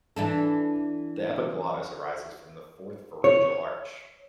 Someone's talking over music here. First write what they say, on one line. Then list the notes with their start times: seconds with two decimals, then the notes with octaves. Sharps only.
The epiglottis arises from the fourth pharyngeal arch.
0.16 E3 D4 A4
3.24 C#5